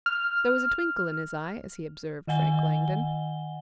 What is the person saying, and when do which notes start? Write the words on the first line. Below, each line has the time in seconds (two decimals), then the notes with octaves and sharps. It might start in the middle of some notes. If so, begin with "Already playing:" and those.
There was a twinkle in his eye as he observed Frank Langdon.
0.06 F6
2.27 D#3 D#5 F#5 G#5 G7